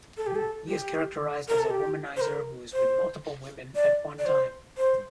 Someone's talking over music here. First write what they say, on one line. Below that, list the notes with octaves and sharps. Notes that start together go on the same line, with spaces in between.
He is characterized as a womanizer who is with multiple women at one time.
A4
G4
A4
G4
A#4
A4
G4
C5
A#4
C5
D5
D5
C5
C5